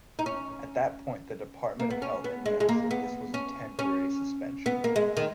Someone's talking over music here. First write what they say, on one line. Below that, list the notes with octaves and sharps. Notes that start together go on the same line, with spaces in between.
At that point the Department of Health announced that this was a temporary suspension.
D#4
C#4
A#3
B3
C#4
B3
G#3
G#3
A#3
B3
C#4
C#4
B3
A#3
G#3
D#3